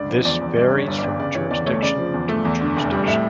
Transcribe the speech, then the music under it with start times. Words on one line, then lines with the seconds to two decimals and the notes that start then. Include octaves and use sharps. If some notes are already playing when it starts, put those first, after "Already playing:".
This varies from jurisdiction to jurisdiction.
Already playing: C#2 D3 D5
0.09 F3
0.25 E2 D5
0.41 E2
0.57 G2 D5
0.72 D3
0.77 C#5
0.88 G1
0.98 G1 D5
1.19 C#3 D5
1.35 E3 C#5
1.51 E2 D5
1.66 A3 C#5
1.82 C#3 D5
1.98 F3
2.14 E2
2.29 A3
2.45 E2
2.61 D3
2.77 F1
2.92 G3
3.07 A2 E5